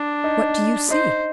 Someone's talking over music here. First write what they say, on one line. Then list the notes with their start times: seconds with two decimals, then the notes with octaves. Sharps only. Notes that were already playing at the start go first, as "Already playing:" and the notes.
"What do you see?"
Already playing: D4
0.24 D#4
0.90 D#4 C5